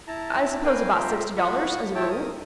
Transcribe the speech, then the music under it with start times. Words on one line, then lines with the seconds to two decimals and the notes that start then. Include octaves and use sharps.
"I suppose about sixty dollars, as a rule."
0.07 E4 A5 A#5
0.64 A#4 B4 F5 G5 G#5
0.94 F4 C5 E5 G5 A#5
1.36 F4 F#4 B5 C#6
1.95 E4 C#5 E5 G5 A5
2.10 A#4 D#6